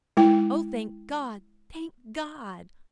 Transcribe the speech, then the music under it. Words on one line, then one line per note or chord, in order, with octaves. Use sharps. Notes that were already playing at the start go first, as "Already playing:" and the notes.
Oh, thank God, thank God!
G#3 E4 G5